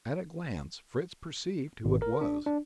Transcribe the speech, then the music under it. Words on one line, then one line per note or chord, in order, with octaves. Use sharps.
At a glance Fritz perceived who it was.
G#1
A#4
D4
D4